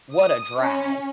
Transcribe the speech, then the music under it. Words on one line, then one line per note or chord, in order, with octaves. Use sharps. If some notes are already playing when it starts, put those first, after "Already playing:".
what a drag.
D#6
C#4